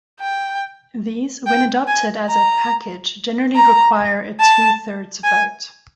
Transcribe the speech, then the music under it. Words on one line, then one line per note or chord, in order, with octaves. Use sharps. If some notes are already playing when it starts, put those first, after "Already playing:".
These, when adopted as a "package" generally require a two-thirds vote.
G5
G5
G#5
A#5
A#5
A5
G#5